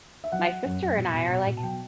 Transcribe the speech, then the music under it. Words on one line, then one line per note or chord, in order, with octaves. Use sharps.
my sister and I are, like
E5
F#3 F#5
F#3
F#2
F#2
B2
B2
B2
B2
A5
F#3 G5